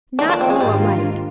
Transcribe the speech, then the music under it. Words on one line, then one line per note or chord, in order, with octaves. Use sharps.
'Not all alike.
D#3 A#3 D4 F4
D4
C4
G#3
G#2 D#3 G3 A#3 D4 F4